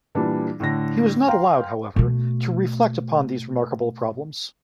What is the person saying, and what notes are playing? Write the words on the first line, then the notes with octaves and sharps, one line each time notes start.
He was not allowed, however, to reflect upon these remarkable problems.
A#2 E3 G3 D4
A2 D3 A#6
F5 G5 A#5 C6
B2 A3